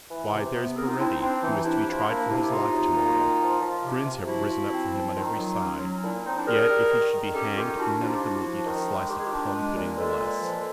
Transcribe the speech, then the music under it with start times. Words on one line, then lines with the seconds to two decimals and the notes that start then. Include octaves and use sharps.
Why, there's Baretti, who is to be tried for his life to-morrow, friends have risen up for him on every side; yet if he should be hanged, none of them will eat a slice of plumb-pudding the less.
0.11 E3
0.33 C3
0.55 B3
0.76 C4 G#4 A#4
0.87 D#4 F4
0.98 C4 D4 E4
1.09 D#4
1.20 C4 D4
1.41 E3 D#4
1.64 C3 D4 E4
1.86 F3
2.08 A#3
2.29 C3
2.52 C3 D#4 F4
2.73 F#3
2.96 A#3
3.18 D#3
3.40 F3
3.61 F3
3.83 C3
4.06 C3
4.27 F3 E4 F#4
4.49 F3
4.71 C4
4.93 F3
5.15 D#3 D#4 F4
5.37 F#3
5.59 C#4
5.81 F#3
6.02 A#2 D4 E4
6.24 C4 D#4
6.35 D4 E4
6.46 G3 G#4 A#4
6.68 G3
6.91 D#3
7.12 D#3
7.34 C#4 G4 A4
7.56 D#3 F4 G4
7.78 D4 E4 F#4
8.00 F3 D#4 F4
8.13 G4
8.22 D4 E4 F#4
8.44 F3
8.66 D#3
8.88 G#3
9.10 D#3 G4
9.17 G#4
9.25 F4 G4
9.32 D4
9.53 G#3
9.75 A#2
9.97 G#3 A4 B4
10.20 A#2
10.42 F3